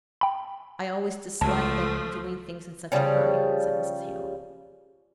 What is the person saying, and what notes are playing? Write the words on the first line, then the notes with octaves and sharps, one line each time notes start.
'I always dislike that doing things in such a hurry,' said Mrs. Hale.
G5 B5
C#2 F3 A3 A5
C#3 F3 G3